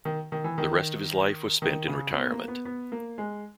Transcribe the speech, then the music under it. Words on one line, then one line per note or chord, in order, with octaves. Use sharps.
The rest of his life was spent in retirement.
D#3
D#3
E3
D#3
D#3
C#3
B3
A#3
B3
B3
A#3
G#3